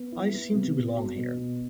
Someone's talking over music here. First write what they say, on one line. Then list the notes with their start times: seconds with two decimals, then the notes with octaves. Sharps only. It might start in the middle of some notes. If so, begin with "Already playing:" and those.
I seem to belong here.
Already playing: B3
0.12 E4
0.33 B3
0.54 C3
0.74 B3
0.95 F#4
1.16 B2
1.37 B2